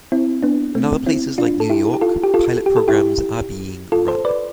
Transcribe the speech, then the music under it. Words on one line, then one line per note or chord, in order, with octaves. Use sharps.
In other places like New York pilot programs are being run.
C4 E4
B3 D4
A3 C4
C4 E4
D4 F4
A4
E4 G4
G4
F4 A4
G4
F4 A4
G4
A4
E4 G4
F4 A4
A4 C5
B4 D5